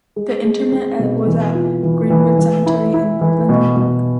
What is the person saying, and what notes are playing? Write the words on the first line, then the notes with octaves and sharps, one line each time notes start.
The interment was at Green-Wood Cemetery, in Brooklyn, New York.
G#3
G#3
C4
B2
E3
F4
E3
E3
E3
E4
E4
E3
B2
B2